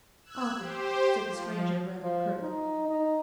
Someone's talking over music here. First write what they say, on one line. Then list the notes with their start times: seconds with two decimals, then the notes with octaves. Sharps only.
'Often,' said the stranger rather curtly.
0.24 E6 F#6 G#6
0.56 G4 C5
1.24 F3
2.02 F3
2.42 D#4
2.89 D#4